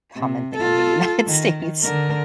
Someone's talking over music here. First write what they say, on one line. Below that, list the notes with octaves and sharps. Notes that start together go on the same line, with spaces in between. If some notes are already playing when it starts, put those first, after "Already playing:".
common thing in the United States.
C3
F4 A4
D#3
D3 A#4